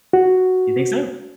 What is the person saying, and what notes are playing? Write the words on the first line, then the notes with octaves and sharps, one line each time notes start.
You think so?
F#4